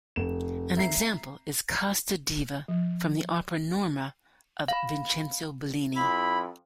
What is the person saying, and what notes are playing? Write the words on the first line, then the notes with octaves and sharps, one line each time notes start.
An example is "Casta diva" from the opera "Norma" of Vincenzo Bellini.
F1 E7
E5 A#5 C7
F3
F5 B5
F2 E4 B5